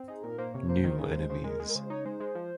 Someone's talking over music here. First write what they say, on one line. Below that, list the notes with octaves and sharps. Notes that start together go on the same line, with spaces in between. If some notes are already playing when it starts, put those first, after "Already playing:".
New enemies.
Already playing: C4
D#4 G#4
A#2 A#4
A#3 C5
C3 C#5
A#3 C5
D#3
C#3 G#4
G#3 C5
C#3 C5
G#3 A#4
G#3
A#4
C#3 C5
D#4 C#5
G#3 C5
G#3
F3